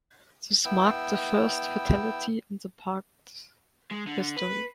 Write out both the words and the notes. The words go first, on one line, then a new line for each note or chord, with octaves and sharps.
This marked the first fatality in the park's history.
B3 E4 G5 E6
G#3
D3
B4